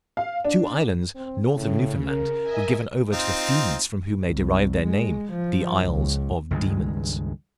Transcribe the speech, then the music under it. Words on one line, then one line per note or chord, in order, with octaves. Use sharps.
Two islands, north of Newfoundland, were given over to the fiends from whom they derived their name, the Isles of Demons.
F5
D4
C4
A2 C#3
A#4
D#5 E5 G#5
C4 D#4 F4
C2
G#3
F3
C#2
C#2 G2 D#3 G#3